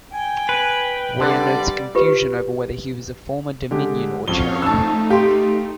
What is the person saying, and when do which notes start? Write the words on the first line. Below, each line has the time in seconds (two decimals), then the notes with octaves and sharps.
Weyer notes a confusion over whether he was a former Dominion or Cherub.
0.14 G5 G#5
0.49 B4
1.20 D3 G3 D5
1.95 F4 G4 B4
3.71 D3 G#3 G4
4.28 F2 C#4 F#4 C#5 F5 G7
4.62 A3 D#4 A5 E6
5.10 G4 F5 C6